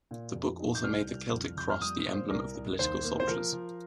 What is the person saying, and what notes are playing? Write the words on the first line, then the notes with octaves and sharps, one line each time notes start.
The book also made the Celtic Cross the emblem of the Political Soldiers.
A#2
F2
D#4
G6
C2 F6
C2
F2
F2 G6
F6
G3 D#6
D#6
A#2
C5
C2 A#4
C2
D#2 C5
A#3
C5
F3 A#4
F3